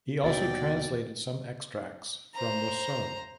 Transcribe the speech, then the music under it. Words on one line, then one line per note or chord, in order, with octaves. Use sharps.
He also translated some extracts from Rosseau.
D#2 B2 F#4 D5 G5 A6
C5 A#5